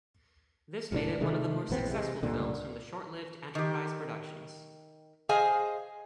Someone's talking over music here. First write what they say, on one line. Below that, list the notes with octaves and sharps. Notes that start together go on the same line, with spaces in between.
This made it one of the more successful films from the short-lived Enterprise Productions.
E1 C#2 A2 D4
C3 D#3 G#3 A3
A#1 E2 B3 C4
C3 G#3
C#2 G2 A#2 D3
D#3 G4
G#4 C5 D#5 F5 G#5